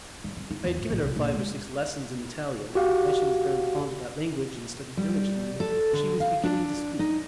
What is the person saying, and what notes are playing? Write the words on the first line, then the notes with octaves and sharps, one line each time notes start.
I had given her five or six lessons in Italian, and as she was very fond of that language and studied diligently she was beginning to speak.
G3
C4
E4
E2
G#1
A#1
C2
A#1
G#3
F#4 G4 F5
G3
A4
D3
F5
D4
D#4